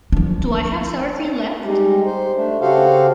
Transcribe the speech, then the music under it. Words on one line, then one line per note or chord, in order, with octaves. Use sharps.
Do I have sour cream left?
F3 D4
G3 G#3 D#4 G4
C5
A3 D4
C#3 F#4 G4 A4 C5 F5